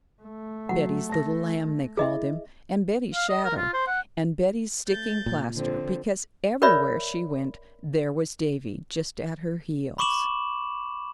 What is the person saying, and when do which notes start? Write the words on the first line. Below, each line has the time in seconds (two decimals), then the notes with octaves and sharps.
Betty's little lamb, they called him, and Betty's shadow, and Betty's sticking-plaster, because everywhere she went there was Davy just at her heels.
0.22 A3
0.69 F#3 F#5
1.09 A5 A#6
1.97 E4 G#4 D#5 E5
3.15 F5
3.29 D#5
3.44 A#4
3.56 F4
3.74 C5
3.87 F#5
4.87 A3 G6 A6
5.26 A#2
5.56 D3 F3 C4
6.62 A#4 B4 C#5 D5 E5 B5
9.98 B5 C#6 D6 E7 F#7